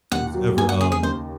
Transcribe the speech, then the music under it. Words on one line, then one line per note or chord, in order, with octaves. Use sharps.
who's ever um,
D#2 F#5
F#3
A#3 G#5
F#5
C#3 G#4
G#4
D#2 C5